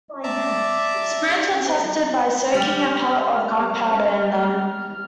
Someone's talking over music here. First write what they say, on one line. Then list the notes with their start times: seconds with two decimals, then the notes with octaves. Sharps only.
Spirits were tested by soaking a pellet of gunpowder in them.
0.24 D5 E5 A5 A#5 D6
2.55 G3 F6